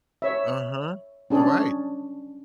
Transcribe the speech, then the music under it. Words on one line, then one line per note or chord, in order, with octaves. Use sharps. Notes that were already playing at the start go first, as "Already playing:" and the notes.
Uh-huh. Alright.
C#5 E5
C#4 D4 G#4